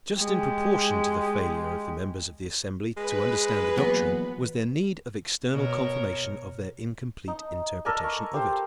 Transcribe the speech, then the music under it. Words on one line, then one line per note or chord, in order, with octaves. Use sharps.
Just in proportion to the failure of the members of the assembly to understand the doctrine was their need of external confirmation of their incomplete interpretation of it.
G#3 G4
G#3 B4
E2 A#2 F#3 B3
B2 A#4 C#5
D#4
A4 A#4 D5 G#5
C#6
G4 C5